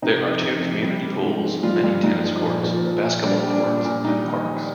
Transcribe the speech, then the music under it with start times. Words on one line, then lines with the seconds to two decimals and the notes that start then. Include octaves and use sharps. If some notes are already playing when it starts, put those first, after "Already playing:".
There are two community pools, many tennis courts, basketball courts and parks.
0.02 C3 D#4
0.22 F2
0.42 F2
0.63 C3
0.82 G3
1.02 G3
1.23 G#2
1.43 G#2
1.63 G2 F4
1.84 G2
2.03 G2 D#4
2.24 F3
2.44 A#2
2.63 F3
2.84 F3
3.03 A#2
3.23 G3 D4
3.43 G3
3.50 D4
3.64 A#2
3.78 D4
3.85 A#2
4.05 G3 D#4
4.24 D#3
4.44 D#3